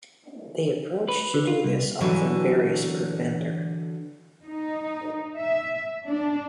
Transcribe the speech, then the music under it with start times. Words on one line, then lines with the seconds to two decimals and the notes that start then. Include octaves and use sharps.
The approach to do this often varies per vendor.
1.08 B4
1.34 D3
1.47 F4
1.64 C2
2.01 D3 E3 F#3
4.46 D#4
5.38 E5
6.07 D4